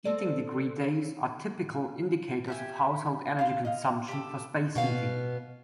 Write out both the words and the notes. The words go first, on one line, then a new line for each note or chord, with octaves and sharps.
Heating degree days are typical indicators of household energy consumption for space heating.
C4 A4 D5
G4 E5 G#5
F5 A5 C6
D#5 F5
G4 A4
B2 B3 F5